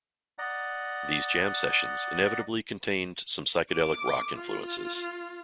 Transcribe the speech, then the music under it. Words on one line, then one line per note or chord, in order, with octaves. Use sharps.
These jam sessions inevitably contained some psychedelic rock influences.
D5 D#5 F#5 A#5
D6
F4